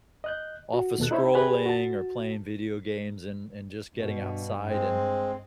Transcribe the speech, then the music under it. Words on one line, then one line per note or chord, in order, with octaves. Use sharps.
office scrolling or playing video games and and just getting outside, and,
D#5 F#6 G6
F#4
D#2 B2 A4 F#6
D#4 E4 C5 C#5 B5
G4 G#4 B4 C#5 G#5
F#4 A5
G2 B2
G#3 C4